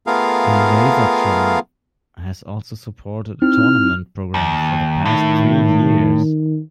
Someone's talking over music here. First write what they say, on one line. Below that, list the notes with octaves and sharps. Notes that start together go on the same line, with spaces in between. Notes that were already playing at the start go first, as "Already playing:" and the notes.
LaserTron has also supported a tournament program for the past three years.
A3 B3 F4 G#4 A#4 F5
C4 D#4 E4 F6
D#2
A2 D#3